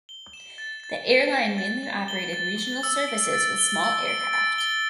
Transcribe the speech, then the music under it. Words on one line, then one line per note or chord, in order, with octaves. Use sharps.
The airline mainly operated regional services with small aircraft.
G7
E7
A6
A6
G7
E7
A6
A6
G7
A6
G7
E6
D7
A6
G7
E6
D7
A6
G7